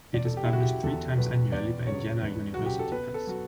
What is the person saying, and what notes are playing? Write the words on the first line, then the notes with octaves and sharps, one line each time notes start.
It is published three times annually by Indiana University Press.
E2 D5
A4
G4
E4
C#3 F#3 F#4
G4
E2 A4
C#3 F#3 B4
E2 D5
C#3 F#3 C#5
E2 B4
C#3 F#3 F#4
G4
A4
B2 B4
A4
F#3 F#4